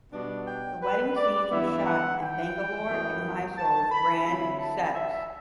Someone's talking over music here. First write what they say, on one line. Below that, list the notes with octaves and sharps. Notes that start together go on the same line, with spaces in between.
The wedding scenes were shot in Bangalore and Mysore with grand sets.
B2 G3 D4
G5
B4
D5
G2 E3 B3 E4 E5
F#5
G5
F#2 E3 B3
A5
B5
D3 F#3 C4 E4 B5
A5
E5